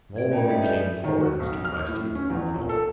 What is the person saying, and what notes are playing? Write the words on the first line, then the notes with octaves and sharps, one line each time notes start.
An old woman came forward and stood by Stephen's elbow.
G#6 D7
C#4 F4 A#4 D5 G5 A5
D#5 E5 B6 C#7
A4 B4 D5 E5 G#5 G6
D#3
F#4
B1
F6
A2
C#4
E2
A#2
A4